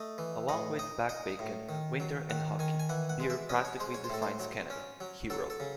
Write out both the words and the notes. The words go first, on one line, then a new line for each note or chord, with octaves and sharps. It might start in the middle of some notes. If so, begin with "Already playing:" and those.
"Along with back bacon, winter and hockey, beer practically defines Canada," he wrote.
Already playing: A3 D#5
E3
A2 D#5
D#4 D#5
D#4 D#5
A2
D#3
F#3
D#3 F#5
D#3 G#5
G#5
E3 F#5
F#5
G#3
E5
C#4 D#5
C#5
G#3 C5
C#5
C5
A2 A4
C5
F#3
C#4
F#3
F#3 A4
A4
C#3